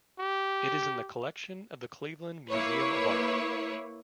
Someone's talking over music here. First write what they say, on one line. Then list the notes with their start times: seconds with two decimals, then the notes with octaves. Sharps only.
It is in the collection of the Cleveland Museum of Art.
0.19 G4
2.50 A#3 E4 B4 C#5